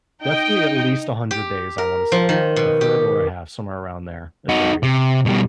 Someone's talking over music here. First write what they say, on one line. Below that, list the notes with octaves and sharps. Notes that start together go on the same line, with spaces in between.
Definitely at least a hundred days, I wanna say, a third or a half, somewhere around there, it varies.
D#4 D#5 G5
G4
A#4
F3
D#3
B2
G4
D#4 F#4
C3
B2 G3